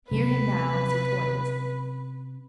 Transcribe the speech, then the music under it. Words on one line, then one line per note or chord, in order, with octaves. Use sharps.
Hear him now as he toils.
C3 F#3 C#4 B4